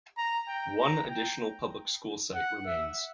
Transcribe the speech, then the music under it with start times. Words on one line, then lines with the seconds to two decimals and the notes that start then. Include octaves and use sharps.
One additional public school site remains.
0.18 A#5
0.48 G5
0.79 A#5
1.10 G5
2.35 F#5
2.66 E5